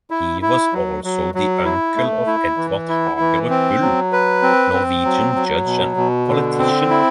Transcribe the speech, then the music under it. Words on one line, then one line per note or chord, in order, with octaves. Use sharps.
He was also the uncle of Edvard Hagerup Bull, Norwegian judge and politician.
E4
E4
F#3
F#3
F#3
E4
A3
E4
E3
E4
E3
C4
F#3
B4
C4
C4
F#3
F#3
B2
B2
D3
C4
E4